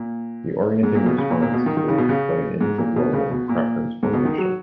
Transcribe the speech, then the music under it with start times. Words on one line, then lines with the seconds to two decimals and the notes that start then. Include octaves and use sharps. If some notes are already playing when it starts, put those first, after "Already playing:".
The orienting response is believed to play an integral role in preference formation.
Already playing: A#2
0.83 G#2
0.95 A#2
1.06 B2
1.18 C#3
1.30 A#2
1.42 A#2
1.53 B2
1.66 D#3
1.77 D#3
1.88 C#3
1.98 B2
2.09 C#3
2.60 G#2
2.78 A#2
2.96 B2
3.13 C#3
3.31 B2
3.49 A#2
4.03 G#2
4.13 B2
4.25 D#3
4.38 F#3